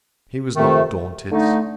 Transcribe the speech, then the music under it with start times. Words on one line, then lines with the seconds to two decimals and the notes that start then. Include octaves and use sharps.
He was not daunted.
0.54 F2 C3 D#3 A3
1.31 D3 A3 D#4